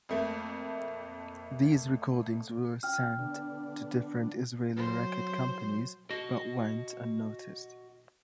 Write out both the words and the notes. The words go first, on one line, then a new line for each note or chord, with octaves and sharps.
These recordings were sent to different Israeli record companies but went unnoticed.
F2 A3 A#3
C#4 F4 G5 F6
D3 B3 D4
F#3 C5
F#4 D#5